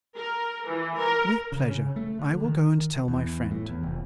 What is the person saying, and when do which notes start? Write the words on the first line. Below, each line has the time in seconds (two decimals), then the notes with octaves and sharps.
"With pleasure; I will go and tell my friend."
0.16 A#4
0.67 E3
0.97 A#4
1.52 C#3
1.70 C#3
1.96 A3
2.19 D3
2.45 D#3
3.08 E2
3.51 A2
3.69 E2
3.83 F1